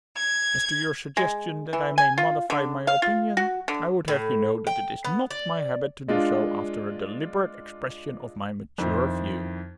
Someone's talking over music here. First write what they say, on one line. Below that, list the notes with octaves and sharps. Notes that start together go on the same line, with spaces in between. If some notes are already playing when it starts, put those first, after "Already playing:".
As to your suggestion that I may modify my opinion, I would have you know that it is not my habit to do so after a deliberate expression of my mature views.
G#6
G#3
E3
G#5
F4
D3
F5
F4
F#4
D3
A2
G5
B3
D5
G#3 D4 F4
F2 D#3 E4 C5